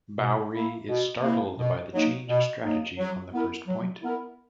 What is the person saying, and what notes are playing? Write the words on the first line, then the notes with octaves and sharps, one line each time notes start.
Bowrey is startled by the change of strategy on the first point.
B2
A#3 E4
B2
A#3 E4
B2
F#3 A#3 D#4
B2
F#3 A#3 D#4
F#3
B3 E4 A#4
F#3
B3 E4 A#4